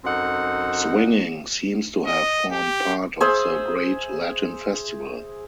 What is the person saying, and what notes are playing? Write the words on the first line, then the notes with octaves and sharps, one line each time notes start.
Swinging seems to have formed part of the great Latin festival.
F#2 C4 D#4 A4 F#5
D#5
G4
G#4 C5 E5